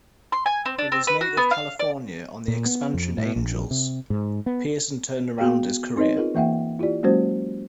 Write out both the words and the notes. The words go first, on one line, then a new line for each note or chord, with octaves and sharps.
In his native California, on the expansion Angels, Pearson turned around his career.
C6
G#5
C4
D4
C4
B4
F#4
B3
F5
D5
A#2
B3
F2
A2
A#1
C3
G#2
B3
B3 F#4 G#4 F5 G5
C4 D#4 B4 C#5 D#5
F4 G#4 A#4
E3 A#3 E5 F#5 G5
E4 F4 G4 D5
F#3 G#3 A#3 C#4 F#4 C5